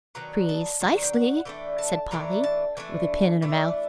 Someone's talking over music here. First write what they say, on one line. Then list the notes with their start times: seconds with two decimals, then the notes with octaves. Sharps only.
"Pre-cisely," said Polly, with a pin in her mouth.
0.15 D#3 F#3 B3 D4 A#5
0.49 A5
0.81 D#3 F#3 D4
1.04 G5
1.13 F#5
1.45 E3 A3 D4 G5
1.78 A5
2.11 E3 A3 D4 A#5
2.44 A5
2.77 E3 A3 D4 G#5
3.42 E3 A3 D4